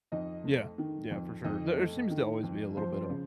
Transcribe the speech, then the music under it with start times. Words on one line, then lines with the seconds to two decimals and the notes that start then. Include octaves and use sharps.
Yeah, yeah, for sure. There, uh, seems to always be a little bit of
0.12 F2 D#4 D#5
0.45 A3
0.78 D#3
1.11 F2
1.44 F2 D#4 D#5
1.78 A3
2.10 D#3
2.43 F2
2.77 F3 C5 C6
3.10 C#3